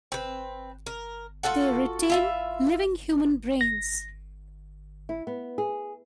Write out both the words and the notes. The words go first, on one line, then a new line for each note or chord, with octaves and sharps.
They retain living human brains.
C4 B4
A#4
F4 F#4 A4 F#5
E4 F4 E5
A#6
E4
B3
G#4